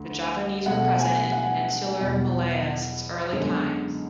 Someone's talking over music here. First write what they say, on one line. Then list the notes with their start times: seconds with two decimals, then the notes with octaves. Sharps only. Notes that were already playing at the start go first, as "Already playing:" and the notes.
The Javanese were present in Peninsular Malaya since early times.
Already playing: D2 D3 A3
0.65 B2 F#3 A3 F#5
1.00 G#5
1.32 F#5
1.99 E2 B2 F#3
3.32 F#2 D3 G#3 B3